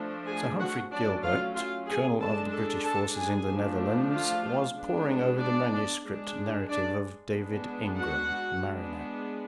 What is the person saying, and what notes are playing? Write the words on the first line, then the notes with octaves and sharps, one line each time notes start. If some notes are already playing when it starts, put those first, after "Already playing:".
Sir Humphrey Gilbert, colonel of the British forces in the Netherlands, was poring over the manuscript narrative of David Ingram, mariner.
Already playing: F3 A3 D4
G#4 G#5
F#4 F#5
F#3 A3 C#4 D4 D5
F4 F5
F4 F5
G#4 G#5
G#3 D4 A4 A5
A4 A5
A4 A5
G#4 G#5
F3 A3 D4
F4 F5
G#3 B3 D4
D4 D5
G#3 D4
D4 D5
G#3 B3 D4
F#4 F#5
G#3 B3 D4